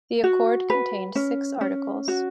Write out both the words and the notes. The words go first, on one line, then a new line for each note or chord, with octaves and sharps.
The accord contained six articles.
F#4
B4
C#4
C#4
F#4